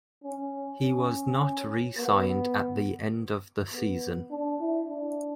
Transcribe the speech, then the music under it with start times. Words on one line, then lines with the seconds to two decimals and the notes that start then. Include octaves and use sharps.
He was not re-signed at the end of the season.
0.24 C#4
0.82 C#4
1.98 B3
3.72 B3
4.31 D4
4.60 E4
4.89 D4